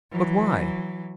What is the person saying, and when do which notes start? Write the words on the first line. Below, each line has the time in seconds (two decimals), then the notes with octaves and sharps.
"But why?"
0.11 E3 F#3